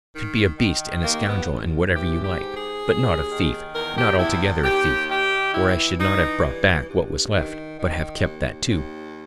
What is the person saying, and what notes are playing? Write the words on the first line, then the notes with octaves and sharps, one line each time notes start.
I should be a beast and a scoundrel, and whatever you like; but not a thief, not altogether a thief, or I should not have brought back what was left, but have kept that, too.
D#3
D#3
D#2 A#3
B3
D#2
E3 G4
G4
G#2
G#4
D#2
D#3
E2 A#4
G4
E2 E4
D#2 G4
D#3 G4
E3 E4
E3 D#4
G2
G2
D#3
D#3
D#2
D#2